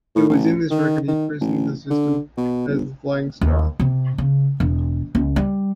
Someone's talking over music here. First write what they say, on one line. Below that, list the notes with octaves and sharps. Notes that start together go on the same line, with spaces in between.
It was in this record he christened the system as the "Flying Star".
A2
A1
D#3
D#3
A1
D3
B2
G1
D#2
C3
C#3
E1
C#2
G3